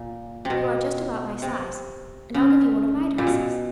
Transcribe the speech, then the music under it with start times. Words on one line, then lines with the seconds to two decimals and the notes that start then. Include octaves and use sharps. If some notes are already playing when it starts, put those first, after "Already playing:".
You are just about my size, and I'll give you one of my dresses.
Already playing: A#2
0.45 C3
0.50 B2
1.42 C3
2.34 C#3
3.18 A#2
3.27 B2